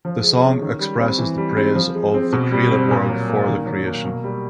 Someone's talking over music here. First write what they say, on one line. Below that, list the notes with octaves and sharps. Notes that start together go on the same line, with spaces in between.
The song expresses the praise of the created world for the Creation.
F3
G#3
C#4
D#3
G3
C4
E3
G3
C4
F3
G#3
C4
B2
G3
C4
A#2
F#3
A#3
D#3
F#3
A#3
B2
G3